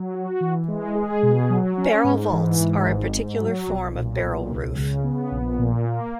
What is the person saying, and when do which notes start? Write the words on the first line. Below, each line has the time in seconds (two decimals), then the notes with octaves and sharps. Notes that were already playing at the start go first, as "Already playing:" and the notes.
Barrel vaults are a particular form of barrel roof.
Already playing: F#3
0.15 F#4
0.41 E3
0.68 G#3
0.95 G#4
1.23 B2
1.50 F#3
1.78 C#4
2.04 G#2
2.32 E3
2.59 G#2
2.87 G#1
3.14 G#2
3.40 F#3
3.67 B1
3.94 A#2
4.22 B1
4.49 C#2
4.76 C#3
5.04 B3
5.31 A#1
5.59 A#2
5.85 A#3